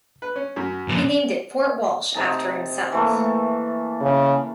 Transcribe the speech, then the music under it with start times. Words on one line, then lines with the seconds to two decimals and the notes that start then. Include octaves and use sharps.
He named it Fort Walsh after himself.
0.22 B4
0.36 C#4
0.56 F#2
0.88 F2 A#2
2.15 C3 D#4 A5
2.92 E3 A3 A#3
4.01 C#3